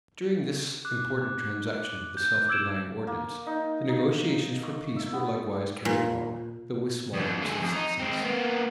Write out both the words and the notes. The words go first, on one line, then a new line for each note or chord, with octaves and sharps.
During this important transaction of the self-denying ordinance, the negotiations for peace were likewise carried on, though with small hopes of success.
D6 F#6
G6
D6 E6 G#6 D7 E7
A#3
D#4
D#4
C#6
E5
B3
A#2
F2 D3
A3 G#4
F2
D#4
G#3 C4
A#3 B3